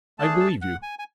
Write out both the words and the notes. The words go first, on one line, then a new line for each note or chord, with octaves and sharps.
"I believe you."
A3 D4 G#4 A5
A5
F#5
G#5
G#5